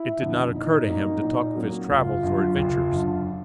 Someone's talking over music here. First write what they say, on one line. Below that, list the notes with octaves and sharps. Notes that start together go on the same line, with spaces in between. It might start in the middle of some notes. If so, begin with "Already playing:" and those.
It did not occur to him to talk of his travels or adventures.
Already playing: E4
F2 D3
A#2 D#4
F#3 A#3 C#4
A#2
F#3 A#3 C#4
F#1 F4
F#2 D3
F#1
F#2 D3